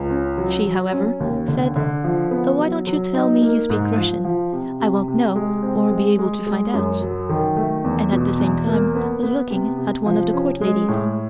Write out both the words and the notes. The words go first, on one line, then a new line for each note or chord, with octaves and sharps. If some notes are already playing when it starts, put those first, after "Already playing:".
She, however, said: "Why don't you tell me you speak Russian, I won't know or be able to find out," and at the same time was looking at one of the Court ladies.
Already playing: C#2
C#4
F#3
F#3
C#4
D#2
D3
D3
F3
B3
F#3
F#3
D#4
A#3
G#2
F3
F3
C3
C3
C3
G#3
C4
G#3
G#3
G#3
F#2
F#3
D#3
A3
E2
B2
E2
A#3
B3
B3
C3
C3
F3
C#4
G#3
A2